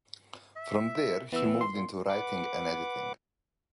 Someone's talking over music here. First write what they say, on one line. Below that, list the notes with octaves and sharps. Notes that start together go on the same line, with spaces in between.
From there, he moved into writing and editing.
E5
E3 B3 E6
C6
A#2
B4 F#5 D6